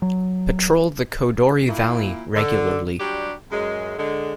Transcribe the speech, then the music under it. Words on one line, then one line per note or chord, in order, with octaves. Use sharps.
Patrol the Kodori Valley regularly.
F#3
A#2 A#3 E4
D3
F#3 G3 D4 G4
F#2 G#3
D3 G#3